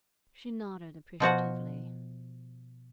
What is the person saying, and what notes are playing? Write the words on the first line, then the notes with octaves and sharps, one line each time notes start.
She nodded appreciatively.
B2 F3 F#4 F#5